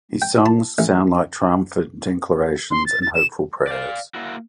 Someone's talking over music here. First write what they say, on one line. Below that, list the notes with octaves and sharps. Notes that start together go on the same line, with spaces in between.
His songs sound like triumphant declarations and hopeful prayers.
G5
A5
A1
C6
A6
A6
E7
D5 F5
A#3 E4 F#4